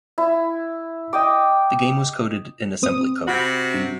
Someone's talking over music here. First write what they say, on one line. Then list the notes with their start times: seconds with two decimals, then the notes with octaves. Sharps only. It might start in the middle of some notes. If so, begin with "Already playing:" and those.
The game was coded in assembly code.
0.18 E4
1.13 D#5 G5 D6
2.82 A1 C4 D#6
3.28 C3 F#4 B5
3.74 G2